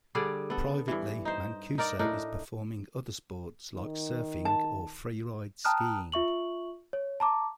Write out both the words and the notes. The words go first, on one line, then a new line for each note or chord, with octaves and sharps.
Privately Mancuso is performing other sports like surfing or freeride skiing.
D3 G3 G#4 D5
B3 A4
G2 E3
D#4 C5
D#4 A#4 D5
A2 D4 D#4 A#4
D#3
A5
G5 A5 A#5 D#6 F6 F#6
F4 E5 C#6 F#7
C#5
A5 A#5 D6